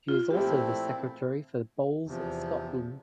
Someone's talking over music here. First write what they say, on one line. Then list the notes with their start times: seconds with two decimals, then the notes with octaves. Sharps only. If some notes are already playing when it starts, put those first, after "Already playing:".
She is also the Secretary for Bowls Scotland.
0.08 F4
0.31 A#2 F3 A3 C4 E4 G4
2.05 E2 C3 F3